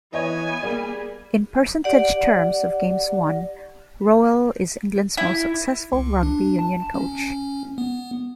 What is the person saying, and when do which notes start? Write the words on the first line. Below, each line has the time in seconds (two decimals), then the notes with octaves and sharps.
In percentage terms of games won Rowell is England's most successful rugby union coach.
0.14 E3 B3 C#5 D#5 G#5
0.63 G3 A#3 G#4
1.84 G4 D5 F#5
5.17 E4
5.93 C#2
6.23 D4
6.59 A5
6.94 C#4
7.78 B3